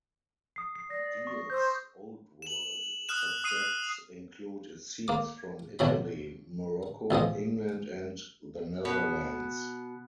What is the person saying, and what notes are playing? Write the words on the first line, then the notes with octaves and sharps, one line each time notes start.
Diehl's Old World subjects include scenes from Italy, Morocco, England, and the Netherlands.
D#6 C7
C7
D5 A#6
C#6
C5 E6 G6
E7 F#7
D#6 F6 F#6 E7
D#6 C7 D#7
A#3 D6
B1 B2 F#3 B5
A1 B2 F3 D#5
B2